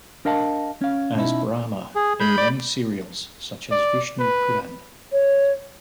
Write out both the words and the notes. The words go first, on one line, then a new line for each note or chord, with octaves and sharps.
As Brahma in many serials, such as Vishnu Puran.
D4 A#4 D#5 F5 A5
C#4 F5
B2 C#4 D#4 E4
G#4
G#3 B5 G6
D5
D5
B4
C#5